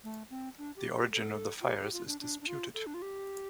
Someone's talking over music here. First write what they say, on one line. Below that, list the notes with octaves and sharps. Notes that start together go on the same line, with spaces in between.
The origin of the fires is disputed.
A3
C4
D4
G4
G4
A4
F4
G4
G4
F4
D4
D4
D4
F4
A4
D4
F4
G4